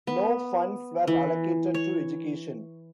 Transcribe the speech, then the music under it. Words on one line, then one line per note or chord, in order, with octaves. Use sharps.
No funds were allocated to education.
B3
E3
C#5